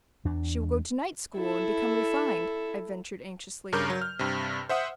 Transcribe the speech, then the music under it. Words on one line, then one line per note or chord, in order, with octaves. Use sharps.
"She will go to night school and become refined?" I ventured anxiously.
E2 D4
E4 A4
G2 C#3 A#4 D6 G6
F#3
F6
G2 C3
C5 E5 F#5 D#6